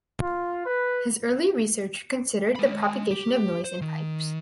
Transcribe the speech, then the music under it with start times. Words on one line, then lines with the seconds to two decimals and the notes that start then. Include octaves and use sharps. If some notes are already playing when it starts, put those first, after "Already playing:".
His early research considered the propagation of noise in pipes.
0.20 F4
0.66 B4
2.56 G#3 B5
3.11 G4
3.64 C5
3.81 D#3